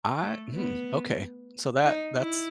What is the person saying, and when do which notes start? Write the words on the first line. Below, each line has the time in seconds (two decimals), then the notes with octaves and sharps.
I Hmm, okay, so, that that's
0.22 A3
0.54 B3
1.85 D#4
2.17 E4